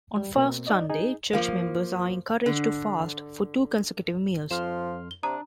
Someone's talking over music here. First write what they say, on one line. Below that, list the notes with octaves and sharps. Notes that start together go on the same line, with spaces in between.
On Fast Sunday, church members are encouraged to fast for two consecutive meals.
G3
B2 A#3 C4
D#4 D5 D#5
D#4 G#4
F3 A#3
D3
F2 F3 C6 F6 C7 E7
G7
C3 D4 A#5 D#6